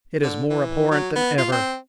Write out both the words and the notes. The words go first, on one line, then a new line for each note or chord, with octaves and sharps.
It is more abhorrent than ever.
D3
E3
F#3
B3
F4
C4